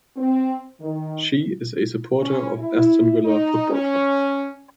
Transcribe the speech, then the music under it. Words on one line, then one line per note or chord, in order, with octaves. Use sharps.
She is a supporter of Aston Villa football club.
C4
D#3
C#4
E4
D#4
C#4